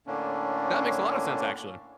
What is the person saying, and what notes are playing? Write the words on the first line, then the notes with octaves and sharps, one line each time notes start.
that makes a lot of sense, actually.
A2 D3 A#3 C#4 D4